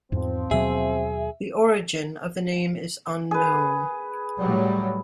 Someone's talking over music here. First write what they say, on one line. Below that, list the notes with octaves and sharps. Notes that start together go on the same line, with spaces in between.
The origin of the name is unknown.
E2 G#2 F3 C4
D#2 B2 F#3 G#4 E5
G#4 B4
A2 F#3 G3